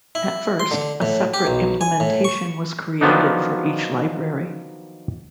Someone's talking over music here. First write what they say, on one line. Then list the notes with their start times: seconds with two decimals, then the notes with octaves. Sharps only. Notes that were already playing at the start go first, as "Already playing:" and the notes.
At first a separate implementation was created for each library.
0.15 E4
0.60 C6
0.71 D3
1.02 A2
1.34 G4
1.47 B1
1.81 G#5
2.00 A2
2.24 C#6
3.01 D#3 F3 F#3 B3 D4 D#4